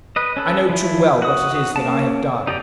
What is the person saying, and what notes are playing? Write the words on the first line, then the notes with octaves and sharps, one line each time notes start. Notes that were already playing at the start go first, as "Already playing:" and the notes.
'I know too well what it is that I have done.'
B4 D#5
C#4 A4 B4
F3 E4
F#4 D#6
A#3 C#4 A5
D#4 G4 D5 G5 A#5